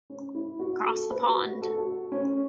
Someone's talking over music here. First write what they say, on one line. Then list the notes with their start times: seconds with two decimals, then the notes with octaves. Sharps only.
Across the pond.
0.10 C#4
0.35 E4
0.59 F#4
0.86 A4
1.10 B4
1.27 F#4
1.45 F#4
1.62 A4
1.78 F#4
2.12 C#4